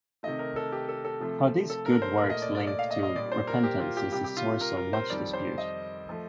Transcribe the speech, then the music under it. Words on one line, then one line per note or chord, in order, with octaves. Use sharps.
How these good works link to repentance is a source of much dispute.
C3 D#3 A3 D#5
A#4
A4
G4
A4
A4
C3 F3 A3
A4
A#4
C5
A#2 A3 A#4
D#5
D5
D5
D5
F5
D#5
D#5
A#2 G3 D5
C5
A#4
G4
F4
G4
C3 G3 G4
G4
F4
A#4
A#4
C5
F2 D#3 G3 D5
C5
D#5
F3 A3